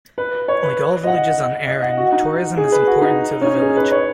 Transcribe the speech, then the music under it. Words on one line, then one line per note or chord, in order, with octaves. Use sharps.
Like all villages on Arran, tourism is important to the village.
B4
C#5
B4
D#5
F#5
D#5
F#5
F#4
D#4
F#4
G#4
B4
F#4
D#4
C#4
D#4
G#4
B4
C#5